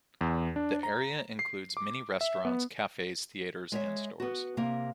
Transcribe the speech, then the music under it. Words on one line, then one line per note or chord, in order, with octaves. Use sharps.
The area includes many restaurants, cafes, theaters and stores.
E2
D4
A#5
C7
D6
E5
B3
G#3 C#5 E5
B3 F#4
C3 A#3